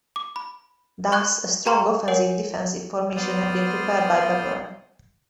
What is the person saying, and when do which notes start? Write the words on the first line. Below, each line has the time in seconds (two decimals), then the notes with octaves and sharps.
Thus, a strong offensive-defensive formation had been prepared by Babur.
0.16 D6
0.36 B5
1.12 C#6 F#6 G#6
1.65 G4 G5 A#5 C6 C#6
2.08 A#4 C#5 F#5 G#5
3.16 B3 C5 D5 C6 D#6 F6